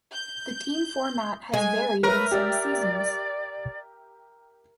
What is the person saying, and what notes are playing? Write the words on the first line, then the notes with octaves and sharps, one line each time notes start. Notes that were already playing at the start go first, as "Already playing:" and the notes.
The team format has varied in some seasons.
G6
G#3 G#5
A#4 B4 C#5 E5
G4 D5 E5